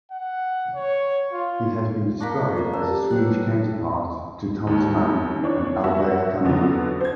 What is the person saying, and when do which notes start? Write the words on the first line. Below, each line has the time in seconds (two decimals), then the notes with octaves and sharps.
He has been described as a Swedish counterpart to Thomas Mann and Albert Camus.
0.12 F#5
0.75 C#5
1.33 F4
2.20 A#3 D4 C#6 A#6 B6
2.57 A3 A#4 D5
2.74 C#4 A4 A#5
2.88 G4
3.11 F#3 B4 G5 F#6
4.67 D#2
5.43 E3 D4 C#5
5.84 F#4 E5 E6
6.45 B2 D3 F#3
7.01 C5 G#6